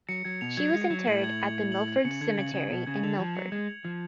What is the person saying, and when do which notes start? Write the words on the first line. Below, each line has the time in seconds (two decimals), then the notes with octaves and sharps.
She was interred at the Milford Cemetery in Milford.
0.09 F#3 C#7
0.25 F#3 G#6
0.41 B2 F7
0.57 F#3 G#6
0.74 G#3 C#7
0.90 F#3 G#6
1.07 A2 F#7
1.24 G#6
1.40 C#7
1.55 G#6
1.72 F#7
1.88 G#6
2.05 C#3 C#7
2.21 D3 G#6
2.37 C#3 F#7
2.54 C#3 G#6
2.70 B2 C#7
2.87 C#3 G#6
3.03 D3 F7
3.19 F3 G#6
3.35 F#3 C#7
3.52 G#3 G#6
3.69 F7
3.84 F3 G#6